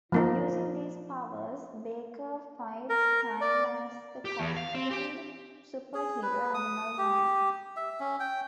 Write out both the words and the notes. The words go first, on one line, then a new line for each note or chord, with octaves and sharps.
Using these powers, Baker fights crime as the costumed superhero Animal Man.
F3 A#3 D#4
A#4
D5
G4
E2
F5
C4
G4
G#4
B4
D#6
G4
E5
C#4
G5